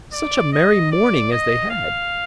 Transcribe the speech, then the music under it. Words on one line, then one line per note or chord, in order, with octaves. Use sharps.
Such a merry morning as they had!
D5
D#5
D5
D#5
F5